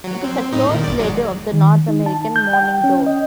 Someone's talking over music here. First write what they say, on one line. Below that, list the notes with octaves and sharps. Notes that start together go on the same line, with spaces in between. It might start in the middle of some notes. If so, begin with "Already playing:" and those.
It is a close relative of the North American mourning dove.
F#3
C4
A2 D#4
A#2 D#3
G1 D5
F#3 G#3
D#3
D#4
A5
G6
G5
C#4
D#5